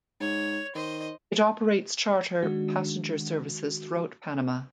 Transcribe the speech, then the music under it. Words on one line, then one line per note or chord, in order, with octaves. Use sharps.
It operates charter passenger services throughout Panama.
G#2 C#5
D#3 C5 D#5
D#3 G#3 D4 F#4